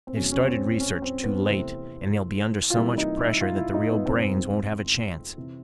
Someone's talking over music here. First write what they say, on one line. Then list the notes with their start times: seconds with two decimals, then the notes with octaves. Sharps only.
They've started research too late and they'll be under so much pressure that the real brains won't have a chance.
0.07 C4
0.15 E2 B2 F#3 A3 C#4
0.32 C#4
0.48 C4
0.80 C#4
1.02 C4
1.24 B3
1.46 C3 E3 A3 C4
2.70 F4
2.75 C3 E3 G3 A#3 E4
2.98 D#4
3.19 E4
3.41 F4
3.57 E4
3.74 D#4
3.90 B3
4.06 F2 C3 F3 G#3 C4
5.37 C3 E3